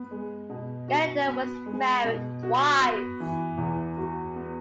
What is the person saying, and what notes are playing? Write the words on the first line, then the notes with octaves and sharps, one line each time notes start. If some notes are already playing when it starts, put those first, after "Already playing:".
Galindo was married twice.
Already playing: B3
G#3
B2
F#4
B3
G#3
B2
F#4
B3
E3
E2
F#4
B3